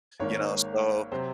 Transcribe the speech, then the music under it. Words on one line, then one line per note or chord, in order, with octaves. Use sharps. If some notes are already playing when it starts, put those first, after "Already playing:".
you know, so,
G#1 G#2 D#3 A#3 C#5
C3 F#3 C4 C5